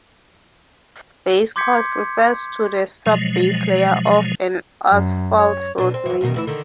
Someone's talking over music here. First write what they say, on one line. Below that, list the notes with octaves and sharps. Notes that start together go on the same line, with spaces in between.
"Base course" refers to the sub-base layer of an asphalt roadway.
C6 D6 G6 G#6 B6 C#7
B2 F3 F#3 G#3
F#2
C#5
B2 D4
C4
F#2 E3
E2 B2 D#3
D2 E3 E4
D3 D#3